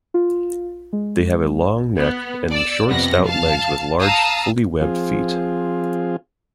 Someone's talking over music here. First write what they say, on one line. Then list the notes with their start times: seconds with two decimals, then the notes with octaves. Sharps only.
They have a long neck and short stout legs with large, fully webbed feet.
0.14 F4
0.93 G#3
1.97 B3
2.52 D5 E6
2.88 F2 C3 B3 A#6
3.26 F5 A5
4.00 F5 A5 A#5 D#6 E6
4.81 F3 C4 F4 G#4